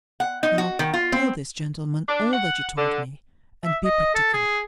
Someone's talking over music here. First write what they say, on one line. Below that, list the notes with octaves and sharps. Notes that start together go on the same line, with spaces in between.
Now, tell this gentleman all that you told me; and be particular.
F#5
D#4
F#4
D#3
F4
C4
D4
F#5
D3
E5
D#5
A4
G#4